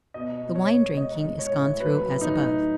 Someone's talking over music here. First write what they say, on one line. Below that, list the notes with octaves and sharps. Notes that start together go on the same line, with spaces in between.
The wine-drinking is gone through as above.
B2 D#5
B2
C#5
B2
G#3 D#5
G#3
C#5
A2
F#3 B4
A2
D#4
F#3